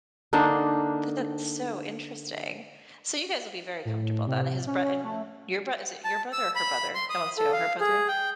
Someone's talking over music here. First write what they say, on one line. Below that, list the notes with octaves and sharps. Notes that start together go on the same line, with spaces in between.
But that's so interesting. So, you guys will be very comfortable, but and his brot and your brot Is it your brother or her brother, that wants to go? Her brother?
D3 A#3 D4 D#4
A2
C3
C#4
C#4
A3
A5
E6
B5
C6
D#6
A4
F5
G#4
G5